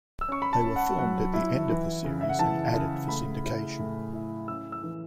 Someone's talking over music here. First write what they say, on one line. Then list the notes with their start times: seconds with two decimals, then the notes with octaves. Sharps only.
They were filmed at the end of the series and added for syndication.
0.21 E6
0.28 C#4 C#6
0.42 B5
0.53 A5
0.64 C#4
0.76 F#5
0.99 F#3 F#5
1.34 E4
1.69 E3
2.04 C#3
2.21 E5
2.29 F#5
2.39 E3 A5
2.74 C#3
3.08 A3 B5
3.44 E4
3.79 A2
4.13 E4
4.48 C#4 E6
4.72 E6
4.83 E3